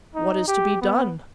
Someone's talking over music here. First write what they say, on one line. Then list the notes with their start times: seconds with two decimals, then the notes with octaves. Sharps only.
What is to be done?
0.15 D#4
0.47 G4
0.81 B3